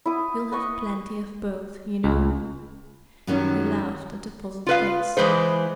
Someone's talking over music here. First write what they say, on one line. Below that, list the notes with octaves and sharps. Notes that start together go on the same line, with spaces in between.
"You'll have plenty of both, you know." He laughed at the puzzled face.
E4 D#6
B4 D#5 C#6
C#2
F#2 D#3 F#3 G3 C#4
F4 B4 F5
E3 G#3 B4 C5